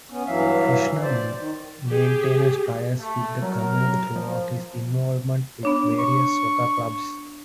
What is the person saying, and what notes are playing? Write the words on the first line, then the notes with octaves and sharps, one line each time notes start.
Kirshner maintains ties with the community through his involvement with various soccer clubs.
B3 C#4
G2 E3 F#3 E5 F5
C5 D5
D#3
G4 G#4
A3
F#3 A#4
F3
B3 D4 C#5
C#6